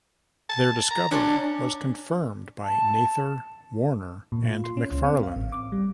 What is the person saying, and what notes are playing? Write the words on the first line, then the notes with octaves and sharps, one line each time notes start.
Their discovery was confirmed by Nather, Warner, and Macfarlane.
A5
A#5
C#4 D4
A5
A#2
F4
C6
C#4
C#2
C4
F5
A1
D6
G3